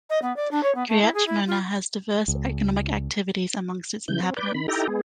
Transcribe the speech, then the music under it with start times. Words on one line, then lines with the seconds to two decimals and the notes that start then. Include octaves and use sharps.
Kiryat Shmona has diverse economic activities among its inhabitants.
0.10 D#5
0.22 B3
0.36 D5
0.51 D4
0.63 C#5
0.75 B3
0.88 A3
1.02 E4
1.14 G#4
1.27 E4
1.47 F4
2.28 C#2
4.08 C#3 E3 G6
4.23 C4
4.37 B4 D5 G6
4.54 D#3 B5
4.68 D#4 E4 G4 A4 G5 A#5
4.88 G#3 B3 G#4